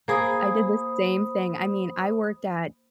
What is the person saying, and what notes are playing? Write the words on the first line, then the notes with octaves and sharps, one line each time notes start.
I did the same thing. I mean, I worked at
A#3 G#4 C5 B5 D#6